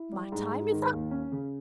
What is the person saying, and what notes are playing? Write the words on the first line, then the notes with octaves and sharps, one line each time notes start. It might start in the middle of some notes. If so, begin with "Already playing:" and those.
My time is up.
Already playing: E4
G3
G#2
G#2
D#3
D#2
C#4
C#3